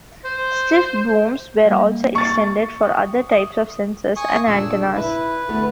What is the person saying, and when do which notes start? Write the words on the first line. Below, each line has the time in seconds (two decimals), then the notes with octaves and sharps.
Stiff booms were also extended for other types of sensors and antennas.
0.25 C5
1.65 G3 A#3
2.15 C#6 A6
2.83 D#6
3.32 D#6
4.16 G#5 C#6 D#6
4.47 A#2 C#3 D4 E6
4.96 E4 B4
5.49 D3 A3 B3